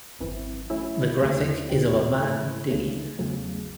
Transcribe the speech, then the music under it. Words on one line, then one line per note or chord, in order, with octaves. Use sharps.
The graphic is of a man digging.
G#1 F#2 E3 C4
A1 A2 F#3 C#4 E4
D#2 D#3 A3 C#4 E4
D#2 D#3 G#3 C4
G#2 E3 A3 C#4 E4
C#2 C#3 E3 A3 D#4
E2 C#3 F#3 A3